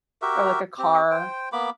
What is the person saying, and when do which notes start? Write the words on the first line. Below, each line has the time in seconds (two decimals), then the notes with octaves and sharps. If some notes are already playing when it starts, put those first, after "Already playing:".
or, like, a car.
0.22 F#4 G4 A#4 E5
0.79 C4 G4
1.11 C5 G5
1.52 A#3 B3 B5 D6